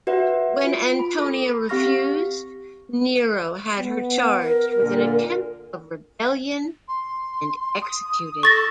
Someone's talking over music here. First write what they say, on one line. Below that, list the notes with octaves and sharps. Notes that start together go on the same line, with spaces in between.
When Antonia refused, Nero had her charged with an attempt of rebellion and executed.
F#4 B4 E5 F#5
F4 D7
B5
A4 D6
C4 G4 F5 C#6 F6 A#6
B3
A#4
A#2 D3
C6
D#6
A4 C#6 A6 A#6